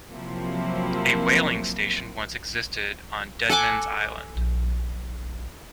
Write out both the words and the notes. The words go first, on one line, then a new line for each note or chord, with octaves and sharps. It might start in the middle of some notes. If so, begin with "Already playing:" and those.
A whaling station once existed on Deadman's Island.
C3 F3 F#3 A#3 C4 E4
A4 F#5 G#5 D6